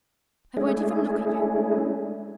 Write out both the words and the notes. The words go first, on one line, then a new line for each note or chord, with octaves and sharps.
I won't even look at you.
G#3 A3 C#4 D4 E4 G#4